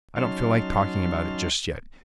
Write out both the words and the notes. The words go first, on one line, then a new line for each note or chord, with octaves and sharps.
I don't feel like talking about it just yet.
F#3 C#4 D#4 A5 C6 F6